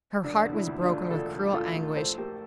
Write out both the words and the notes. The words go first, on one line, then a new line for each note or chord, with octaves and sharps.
Her heart was broken with cruel anguish.
E1 D4
D3
E4
D2
D4 F4
A3
E1 F4 A4
D3
D2 F4 A4
A3
A#1 A4 C5
A3 G4 A#4